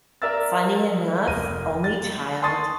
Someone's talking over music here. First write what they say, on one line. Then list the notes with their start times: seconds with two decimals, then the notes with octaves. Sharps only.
Funny enough, only child,
0.22 A#4 D5 E5 A#5 E6 A6
1.27 F1 A#4 D#7
1.84 A6
2.42 G#5 A5 C6 C#6 D#6 A6